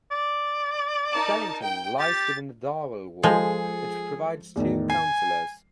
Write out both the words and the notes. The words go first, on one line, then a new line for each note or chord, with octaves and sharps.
Dallington lies within the Darwell ward, which provides two councillors.
D5
D#4 A#4 A5
G5
G4 A6
F3 G#3 F4 G#4 A4
E2 A2 D#3
G#5 C7